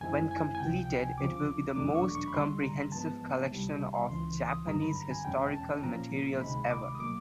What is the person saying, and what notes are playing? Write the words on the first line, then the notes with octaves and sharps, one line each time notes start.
When completed, it will be the most comprehensive collection of Japanese historical materials ever.
F#2 D#3 G#3 C4 E4 G#5
G#5
G#5
C#2 C3 F3 G5
G5
G#5
D2 C#3 F3 D6
D6
E2 B2 F#3 A3 D4 D6
C#6
C#6
B5
D#2 D3 G3 C6
A#5
G#2 F3 G#3 B3 A5
C2 C3 D#3 G3
C#2 C#3 E3 C6
D#6
G2 D3 F#3 A#5
B5
A#5
G#5
E2 B2 G#3 C#4 G5
A5
A#2 F3 A#3 C#4 A#5
D2 C3 D#3 G#3 B5
D6
D#6
B2 F#3 A#3 D6